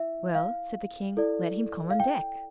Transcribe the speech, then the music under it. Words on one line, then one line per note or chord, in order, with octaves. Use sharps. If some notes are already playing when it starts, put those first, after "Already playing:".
"Well," said the King, "let him come on deck."
Already playing: E4 E5
F5
E4 A4 D5
F5
G5